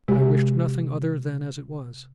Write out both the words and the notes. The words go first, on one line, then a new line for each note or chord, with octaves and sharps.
I wished nothing other than as it was.
C3 G#3 F#4 G4